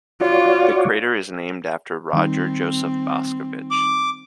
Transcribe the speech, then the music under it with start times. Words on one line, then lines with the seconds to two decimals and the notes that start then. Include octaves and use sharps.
The crater is named after Roger Joseph Boscovich.
0.21 F4 F#4 C#5 D5
2.13 D#3 G3 C4 D#4
3.71 D6